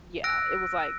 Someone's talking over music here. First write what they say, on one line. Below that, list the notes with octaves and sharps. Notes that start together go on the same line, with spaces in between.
yeah, it was like
E6 F#6 A#6 D7